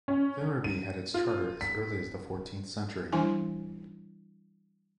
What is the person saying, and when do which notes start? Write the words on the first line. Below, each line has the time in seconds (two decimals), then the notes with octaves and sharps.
Vimmerby had its charter as early as the fourteenth century.
0.08 C#4
0.64 D#7
1.14 F4
1.61 B6
3.13 E3 G3 D4 E4 G#5